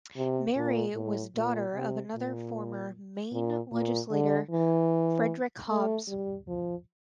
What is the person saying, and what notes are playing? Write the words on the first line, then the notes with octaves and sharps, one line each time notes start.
Mary was daughter of another former Maine legislator Frederick Hobbs.
C3
A#2
A2
A#2
C3
A#2
A#2
A#2
D3
E3
A3
G3
F3